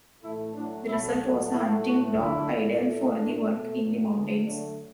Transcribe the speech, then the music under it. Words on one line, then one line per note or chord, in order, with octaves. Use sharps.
The result was a hunting dog ideal for the work in the mountains.
A2 E3 A3 E4
A2 F#3 A3 D4
B2 F#3 A3 E4
A2 F#3 A3 F#4
A2 F#3 A3 E4
A2 A3 F#4
D3 F#3 A3 E4
A2 E3 A3
A2 E3 A3
A2 A3 D4
B2 A3
A2 F#3 A3
D3 F#3 A3 B3
D3 F#3 A3 D4